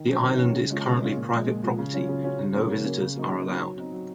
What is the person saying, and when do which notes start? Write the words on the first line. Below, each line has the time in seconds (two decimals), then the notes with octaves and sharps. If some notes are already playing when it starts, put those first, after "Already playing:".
The island is currently private property and no visitors are allowed.
Already playing: D#3
0.09 F#3 C#4
0.25 D#3
0.39 F#3 C#4
0.55 C#3
0.70 G#3 C#4 F4
0.86 C#3
1.01 G#3 C#4 F4
1.16 A#2
1.32 F3 G#3
1.47 A#2
1.62 F3 G#3
1.78 C#3
1.93 F#3 C#4 F4
2.08 C#3
2.24 F#3 C#4 F4
2.39 C#3
2.55 F#3 A#3 C#4
2.70 C#3
2.85 F#3 A#3 C#4
3.01 C#3
3.16 F#3 A#3 D#4
3.31 C#3
3.47 F#3 A#3 D#4
3.62 F#3
3.77 C4 D#4
3.93 F#3